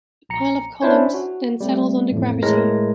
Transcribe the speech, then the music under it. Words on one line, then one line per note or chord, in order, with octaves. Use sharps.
The pile of columns then settles under gravity.
A#1 A#5 C#7
C#4 D4 E4 C5 C#5
F#4
G3 A3 C4
A1 F2 A2
A2 G#3 A#4 B4 A#6